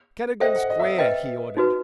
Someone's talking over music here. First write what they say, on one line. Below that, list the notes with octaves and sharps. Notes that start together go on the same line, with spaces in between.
"Cadogan Square," he ordered.
A4 C5 D#5 E5 G5
F#5
D#5
E5
D#5
B4 D#5 E5 G5
D#4 F#4 B4